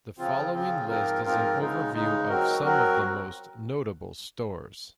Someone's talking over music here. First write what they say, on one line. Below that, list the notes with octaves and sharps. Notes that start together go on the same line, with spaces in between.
The following list is an overview of some of the most notable stores.
C#3 F3 C4 F4
C#3 F3 C4 F4
G#2 F3 C4 F4 A#4
G#2 F3 C4 F4 A#4
C#3 G#3 D#4
C#3 G#3 D#4
F#3 C4 F#4 A#4
F#3 C4 F#4 A#4